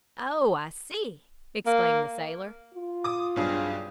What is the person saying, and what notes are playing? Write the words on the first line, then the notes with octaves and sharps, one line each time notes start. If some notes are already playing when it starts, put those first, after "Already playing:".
"Oh, I see!" exclaimed the sailor.
A#3
F4
D6 D#6
B1 G2 C4 G#4 F5